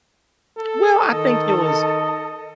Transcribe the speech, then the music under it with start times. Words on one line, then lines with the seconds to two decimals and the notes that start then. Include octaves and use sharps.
Well, I think it was
0.57 A4
1.12 D#3 A4 D#5